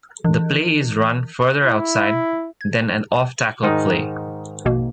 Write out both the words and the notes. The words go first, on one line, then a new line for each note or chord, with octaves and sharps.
The play is run further outside than an off tackle play.
E3
E4
G#6
G#2 D#3 D#4
A#1 B2 A#3